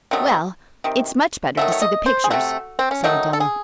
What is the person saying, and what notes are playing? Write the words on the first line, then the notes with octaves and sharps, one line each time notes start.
"Well, it's much better to see the pictures," said Adela.
C3 D#3 F#3 A3
C3 D#3
D#3 F#3 A3 E5
C#5
D#5
C5
G#4
C3 F#3 A3 F#4
C4
C#4
D#3 F#3 A3 D#4
A4
G#4